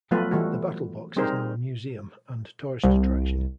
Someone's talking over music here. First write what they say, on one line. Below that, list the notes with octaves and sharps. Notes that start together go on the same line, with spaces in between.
The Battle Box is now a museum and tourist attraction.
F3 F#3 A3 B3 F4 B4
E3 G3 A3 F#4
G3 C4 D#4 G#4 A#4 C5
C2